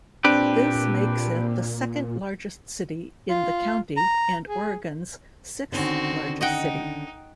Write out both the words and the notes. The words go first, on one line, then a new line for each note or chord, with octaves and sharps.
This makes it the second-largest city in the county and Oregon's sixth-largest city.
A#2 C4 D4 G4 B4 D7
F4
A#5
G#4
D3 D#3 C4 C#4 F#4
D#4 D#5 F#5 G5